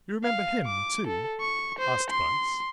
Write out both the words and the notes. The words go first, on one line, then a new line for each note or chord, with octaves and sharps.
"You remember him, too?" asked Bryce.
F5
D6
A4
C#6
C5
C6